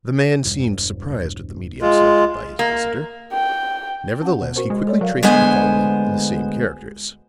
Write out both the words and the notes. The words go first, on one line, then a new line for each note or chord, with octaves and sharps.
The man seemed surprised at the medium selected by his visitor; nevertheless he quickly traced the following in the same characters.
E1 G2
G#3 F4
A#3
G5
C#4 F#5
B2
F#4 A#4 C5
G#3
A4 C#5 D5
F#3 A#4 F5
D2 G#3 B3 C5 G#5